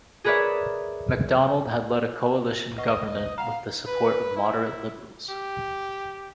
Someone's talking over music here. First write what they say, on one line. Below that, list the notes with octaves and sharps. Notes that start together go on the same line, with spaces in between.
Macdonald led a coalition government with the support of moderate Liberals.
G#4 A#4 B4 C#5 D5 E5
B4 D#5 F#5 C#6
F5 F#5 A#5
B4
E4
G4